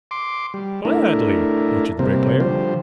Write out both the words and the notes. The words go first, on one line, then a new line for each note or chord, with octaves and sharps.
"Gladly," answered the Bricklayer.
C6 D6
G3
A3 D4 E4 A#4
C3 G3 A#3 C4
D3 F3 G3 C5